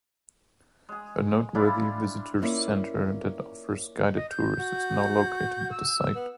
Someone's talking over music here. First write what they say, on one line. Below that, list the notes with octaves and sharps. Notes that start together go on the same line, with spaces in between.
A noteworthy visitors' centre that offers guided tours is now located at the site.
G#3 G#4
G3 D4 E4 F4
A#3 C#4 E4 F4 D5
D#5
G6
F#4
E6
B3